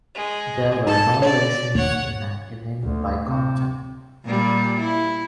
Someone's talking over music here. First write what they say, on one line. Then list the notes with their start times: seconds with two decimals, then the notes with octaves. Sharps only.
There were no rations in an innings by Compton.
0.15 G#3
0.87 D#4 A4 A5
1.22 C#5 D5
1.75 D#2 C#5 F#5
2.84 D2
3.26 C3
4.26 A#2 G3
4.80 E4